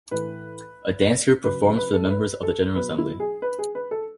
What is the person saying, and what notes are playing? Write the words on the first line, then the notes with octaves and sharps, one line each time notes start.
A dance group performs for members of the General Assembly.
A2 E3 B4
C#3 F#3 B4
B4
A4
B4
A4
B2 F#3 B4
E4
G#4
B4
G#4
B4
A4